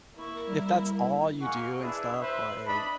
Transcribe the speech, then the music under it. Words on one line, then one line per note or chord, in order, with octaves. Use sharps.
if that's all you do and stuff, like,
A#3 E4 A#4 C#6
G3
G#3 A#3 F#5 G#5 C#6
D4 E4 G#4 B4
B4 C5 E5
D4 D#5 A5 B5